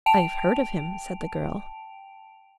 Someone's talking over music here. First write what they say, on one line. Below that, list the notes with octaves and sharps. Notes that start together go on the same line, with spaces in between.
"I have heard of him," said the girl.
G5 A5 D7 F7